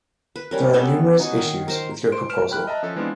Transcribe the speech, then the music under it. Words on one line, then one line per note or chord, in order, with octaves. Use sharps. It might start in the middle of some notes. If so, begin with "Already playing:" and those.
There are numerous issues with your proposal.
B4
G3 C#4 A#4
B3 C#4 G4 A4
D#4 F#4 G#5
D#3 A#4
A#4 C5
C5 C6 D7
B4 F6 D7 E7
G5 B5 F#6
D#5 E5 A5 A#5
F3 C#4 A4
E3 G#3 B3 C4 D4 F4